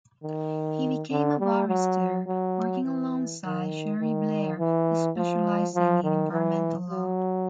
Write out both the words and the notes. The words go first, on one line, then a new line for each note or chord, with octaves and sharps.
He became a barrister, working alongside Cherie Blair, specialising in environmental law.
D#3
D3
G3
F#3
F#3
E3
D#3
D#3
E3
F3
F3
D#3
E3
F#3